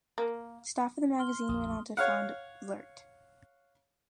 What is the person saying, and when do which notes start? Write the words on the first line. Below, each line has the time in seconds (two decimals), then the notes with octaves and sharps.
Staff of the magazine went on to found "Blurt".
0.18 A#3
1.19 C6 F6 G7
1.49 A#1 F2 D#6
1.97 C#5 F5 F#5